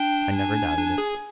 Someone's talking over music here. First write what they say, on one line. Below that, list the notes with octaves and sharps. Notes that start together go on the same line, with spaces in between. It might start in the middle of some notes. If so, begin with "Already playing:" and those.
"I never doubted it."
Already playing: D4 G5
G#5
D4
G#4